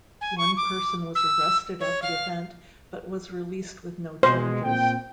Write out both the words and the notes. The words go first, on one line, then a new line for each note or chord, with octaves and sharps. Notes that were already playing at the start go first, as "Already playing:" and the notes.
One person was arrested at the event but was released with no charges.
G#5
C#6
D6
E6
C#5
F5
B2 G#3 C5
A#2 C4 G5